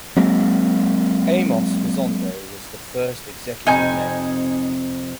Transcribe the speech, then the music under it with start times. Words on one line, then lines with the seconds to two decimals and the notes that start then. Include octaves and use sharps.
Amos Mosondo was the first executive mayor.
0.16 F#3 G#3 A#3 C4
3.67 F2 C3 D#4 G#5 G6